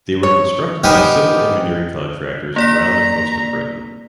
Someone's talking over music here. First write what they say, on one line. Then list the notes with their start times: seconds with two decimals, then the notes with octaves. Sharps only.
They were constructed by civil engineering contractors around the coast of Britain.
0.23 C#5
0.84 B3 D#4 G4 A#4 C5 G#5
2.56 A#3 D5 A#5 B6